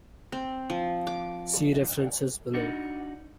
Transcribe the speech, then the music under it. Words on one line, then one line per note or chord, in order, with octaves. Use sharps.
See References below.
C4
F3
D6
D4 D#4 F#4